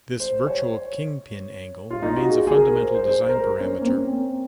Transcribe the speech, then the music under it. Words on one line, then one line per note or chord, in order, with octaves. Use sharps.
This virtual king pin angle remains a fundamental design parameter.
C5
C#5
F4
D#4
F#4
G#4
G#4
A#4
C5
C5
C5
C5
A#4
C5
C#4
A#3
C4